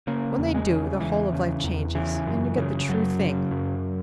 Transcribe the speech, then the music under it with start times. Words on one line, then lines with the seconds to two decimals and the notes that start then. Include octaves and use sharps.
When they do, the whole of life changes, and you get the true thing.
0.07 C#3 A#3
0.39 E2
0.54 G#3
0.70 C#3
1.01 E2 E3
1.33 C#3
1.64 E2
1.95 C#3 E3
2.27 F#2
2.58 C#3
2.89 F#2 F#3
3.20 C#3
3.51 F#2